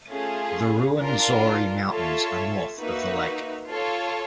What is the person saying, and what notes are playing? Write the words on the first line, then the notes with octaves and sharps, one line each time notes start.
The Ruwenzori Mountains are north of the lake.
A3 C#4 F4 G#4
D4 F4 A#4
F4 A4 C#5 E5
A#3 D#4 F#4 B4 E5
F4 A4 C#5